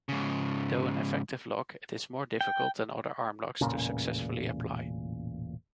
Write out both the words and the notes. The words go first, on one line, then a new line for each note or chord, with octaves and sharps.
Though an effective lock, it is more difficult than other armlocks to successfully apply.
G#2 C#3
G5
E1 A1 A#2 C#3